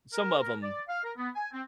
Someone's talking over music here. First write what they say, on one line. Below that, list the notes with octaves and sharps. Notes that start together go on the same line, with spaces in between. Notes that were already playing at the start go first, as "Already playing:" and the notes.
some of 'em
A#4
A#4
D5
F5
A#4
B3
G#5
C4